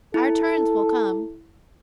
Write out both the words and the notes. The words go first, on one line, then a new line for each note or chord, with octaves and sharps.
Our turns will come.
E4 A4